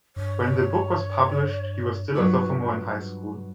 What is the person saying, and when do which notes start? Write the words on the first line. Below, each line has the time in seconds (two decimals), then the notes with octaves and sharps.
When the book was published, he was still a sophomore in high school.
0.16 G2 C#5
2.15 G2 F#3 F4 B4 C#5